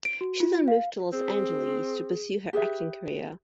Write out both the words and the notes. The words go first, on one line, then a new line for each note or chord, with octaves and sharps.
She then moved to Los Angeles to pursue her acting career.
D7
F#4
F4
F5
C4 G#4
G4 G#4 B4 E5